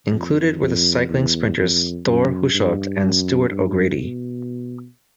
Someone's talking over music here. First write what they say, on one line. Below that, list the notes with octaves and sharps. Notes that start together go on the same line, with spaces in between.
Included were the cycling sprinters Thor Hushovd and Stuart O'Grady.
F2
F2
E2
F2
F#2
G2
F#2
G2
B2